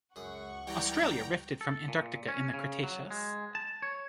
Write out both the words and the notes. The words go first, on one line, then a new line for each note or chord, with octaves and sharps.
Australia rifted from Antarctica in the Cretaceous.
C#2 F#2 G#4 F#5 C#6
E3 G3 G4 G5 A#5
A4
A#2
C#4
C#3
F#3
G#3
A5
C#5